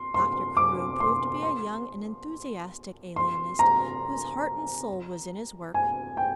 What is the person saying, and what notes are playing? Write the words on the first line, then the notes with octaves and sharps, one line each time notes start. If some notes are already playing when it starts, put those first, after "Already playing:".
Dr. Carew proved to be a young and enthusiastic alienist whose heart and soul was in his work.
Already playing: C6
C6
D6
C6
C6
C6
A#5
G#5
G5